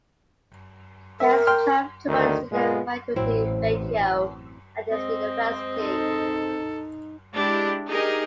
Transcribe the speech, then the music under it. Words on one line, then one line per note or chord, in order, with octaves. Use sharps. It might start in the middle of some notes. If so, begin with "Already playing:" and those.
There is a twelve to one student faculty ratio at this University.
A#4 E5
G5 C6 F6
D2 D#3
A#2 G#3 B3 F4
A1 F#3 C4 E4
G#3 C4 D#5
D#4 A4
G#3 D4 E4 G4
D#4 G4 G#4 A#4 D#5